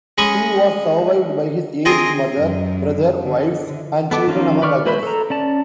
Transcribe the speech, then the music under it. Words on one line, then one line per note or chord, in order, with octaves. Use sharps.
He was survived by his aged mother, brother, wives and children, among others.
G#3 C#4 B5 C#6 D#6
C4 F4 G#4 A#4 D#5
F#2
D3
B3 A4 D6
D#3 F3 C#4 D#4 F4
B4 D5 C#6 F6
G#3 B4 C5 E5 B5
A4 A#5
C#4 D5 A5